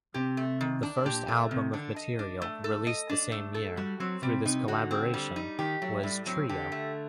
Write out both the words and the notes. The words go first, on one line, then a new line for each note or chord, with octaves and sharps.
The first album of material, released the same year, through this collaboration was "Trio".
C3 G4
A3
D#3
D4
A#2 G4
A#2 A3
C3 D#3
D3 D4
D#5
D4
A3
A4
D#5
D4
A3
A4
G3 F#4
F#3 C4
C3 G3
C3 D#4
D3 F#4
C4
G3
D#4
D#3 G4
F#3 A3
A2 G3
F#3 C4
D3 G4
A3